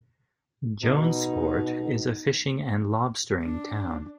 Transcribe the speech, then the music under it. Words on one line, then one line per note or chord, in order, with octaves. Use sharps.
Jonesport is a fishing and lobstering town.
B2 D#4
D4